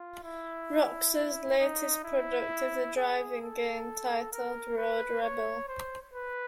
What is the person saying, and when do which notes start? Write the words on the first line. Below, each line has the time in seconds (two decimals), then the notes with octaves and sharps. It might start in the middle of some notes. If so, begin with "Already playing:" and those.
Roxor's latest product is a driving game titled "Road Rebel".
Already playing: F4
0.23 E4
1.59 D#4
2.04 E4
2.96 G#4
3.42 A4
4.33 A#4
4.77 B4
5.23 C#5
5.68 C5
6.14 B4